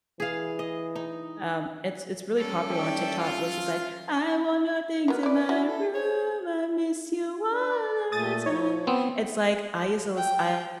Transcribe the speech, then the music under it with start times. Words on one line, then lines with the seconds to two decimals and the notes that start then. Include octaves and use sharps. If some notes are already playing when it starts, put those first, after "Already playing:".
um, it's it's really popular on TikTok where she's like, "I want your things in my room, I miss you all the time," it's like, I used to lis I
0.20 E3 G#4 F5
0.59 D#5
0.96 D#4
2.36 G3 C#4 A4
2.70 D5 E5 G5
3.18 F4
5.08 F#3 B3 A#4 B4
5.23 C#4 E4 D5
5.49 E4 F#4 D5 E5
5.68 A4
5.95 C5 C#5
7.50 D4
7.69 D5
8.12 A#2 A3 D#6 A6 D#7
8.46 F3 C#5
8.87 B3 C4
10.17 G5